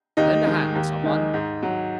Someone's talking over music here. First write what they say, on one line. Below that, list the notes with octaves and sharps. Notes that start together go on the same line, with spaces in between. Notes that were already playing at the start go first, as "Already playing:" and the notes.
Lend a hand, some one.'
D#2 D#4
D#3 G#3
D#2
D#3 G#3
G#2
F#3